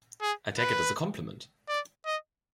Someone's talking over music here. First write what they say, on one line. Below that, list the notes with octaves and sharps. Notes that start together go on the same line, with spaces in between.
I take it as a compliment.
G#4
B4
D5
D#5